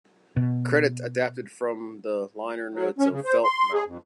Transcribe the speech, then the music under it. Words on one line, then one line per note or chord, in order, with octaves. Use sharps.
Credits adapted from the liner notes of "Felt Mountain".
B2
F#3
C#4
C#3
C5
C6
G#4
F2